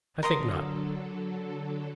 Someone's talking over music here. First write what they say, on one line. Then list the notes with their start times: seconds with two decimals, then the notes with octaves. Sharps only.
I think not.
0.23 D3 F#3 A4 A#4 C6 D#6